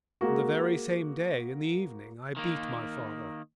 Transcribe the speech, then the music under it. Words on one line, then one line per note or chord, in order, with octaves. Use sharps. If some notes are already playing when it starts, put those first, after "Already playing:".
And the very same day, in the evening I beat my father.
G#3 A#3 F#4
D#3 A#3